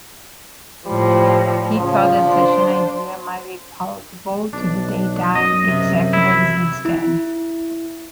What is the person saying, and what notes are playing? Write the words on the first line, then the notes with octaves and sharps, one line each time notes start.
He thought that such an idea might be palatable to the Daytime executives instead.
A2 F3 G3
C#3 F3
D4 C5
B1 D4
F#2 D#5
C3
E4
E4